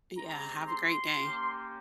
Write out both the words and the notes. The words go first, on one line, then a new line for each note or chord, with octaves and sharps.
Yeah, have a great day.
G#3 C4 G4 A#5
C6
A#3 C#4 G4